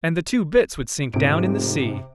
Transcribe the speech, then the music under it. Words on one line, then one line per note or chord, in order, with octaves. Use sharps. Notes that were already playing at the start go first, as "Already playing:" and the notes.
"And the two bits would sink down in the sea!"
F1 G#2 C3 D7